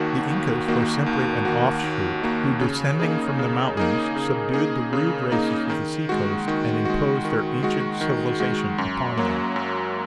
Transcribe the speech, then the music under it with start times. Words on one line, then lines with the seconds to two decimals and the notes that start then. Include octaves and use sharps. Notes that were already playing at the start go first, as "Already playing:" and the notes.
The Incas were simply an offshoot, who, descending from the mountains, subdued the rude races of the sea-coast, and imposed their ancient civilization upon them.
Already playing: D#2 D#3 A#3 F#4
0.30 D#2
0.68 D#3 A#3 F#4
1.06 D#2
1.45 D#3 A#3 F#4
1.84 D#2
2.22 D#3 A#3 F#4
2.61 C#3
3.00 A#3 D#4 G#4
3.39 C#3
3.77 A#3 D#4 G#4
4.16 C#3
4.54 A#3 D#4 G#4
4.93 C#3
5.32 A#3 D#4 G#4
5.70 D#3
6.09 G#3 F#4
6.48 D#3
6.85 G#3 F#4
7.25 D#3
7.63 G#3 F#4
8.01 D#3
8.40 G#3 F#4
8.78 F#2
9.18 F#3 A#3
9.56 F#2